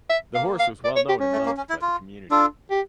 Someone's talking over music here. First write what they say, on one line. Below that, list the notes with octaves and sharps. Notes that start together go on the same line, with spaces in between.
The horse was well known and loved by the community.
E5
A#3 F5
F5
D5
C#5
G4
C#4
A3
A#3
C#4
E4
F4
D4 F4 A4
G4